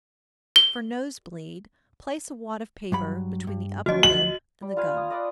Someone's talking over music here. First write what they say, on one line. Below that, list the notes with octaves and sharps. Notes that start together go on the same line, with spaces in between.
For nose-bleed, place a wad of paper between the upper lip and the gum.
G7
G2 F#3 B5
G2
D2 F3 F#3 F#4 D#5
F#7
G3
F4 B4 F5 G#5
D#6
B4 D5 D#5